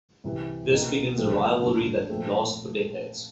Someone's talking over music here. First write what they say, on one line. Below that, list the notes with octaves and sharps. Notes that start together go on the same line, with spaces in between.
This begins a rivalry that would last for decades.
C2 C3 E3
C2 B2 G3 A#3
F3 A3 C4
D3 F#3 A#3 D4
A#2 F3 A3 C4